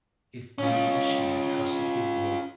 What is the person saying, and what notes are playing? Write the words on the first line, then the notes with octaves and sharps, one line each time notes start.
If only she had trusted him more!
C#4 F4